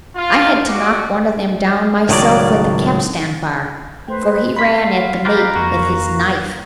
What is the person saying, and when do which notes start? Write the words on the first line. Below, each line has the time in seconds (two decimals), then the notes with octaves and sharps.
I had to knock one of them down myself with a capstan bar, for he ran at the mate with his knife.
0.16 F4
0.69 G3 F#4 D#5 D6
2.09 C#2 A2 D#3 F#3 D5
4.07 A3 B4 C5 G5
4.57 F5 B5 C6 B6
5.25 F4 G4 B4 A#5
5.55 F2 A#3 F#4